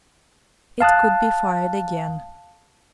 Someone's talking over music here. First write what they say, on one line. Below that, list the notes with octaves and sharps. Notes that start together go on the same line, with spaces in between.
It could be fired again.
F5 A5 D#6 F#6